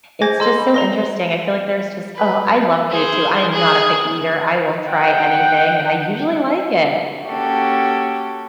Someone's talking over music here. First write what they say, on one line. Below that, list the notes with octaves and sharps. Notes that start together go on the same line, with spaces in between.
it's just so interesting. I feel like there's just Oh, I love food too. I am not a picky eater, I will try anything, and I usually like it.
G#4 C5 G#5 G#6 A#6
A4 D#5 A#5 C6
B5
A#5 C6 A#6
B4
G#4 C5
G#4 F#6
F#5 G5
A#3 C#4 F#4 G4 A4